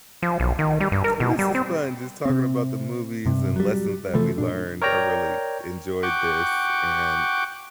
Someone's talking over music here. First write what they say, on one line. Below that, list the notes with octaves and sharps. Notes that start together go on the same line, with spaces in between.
This is fun just talking about the movies and lessons that we learned, I really enjoyed this and
F3
B1
D#3
G3
G2
A#4
B2
G3
C4
C3 C4
G2 C3
F#3 G3
C3 E3 F3 A3
A#2 D4
A#4 C#5 D5 G5 A#5
F#5 G5 C#6 D6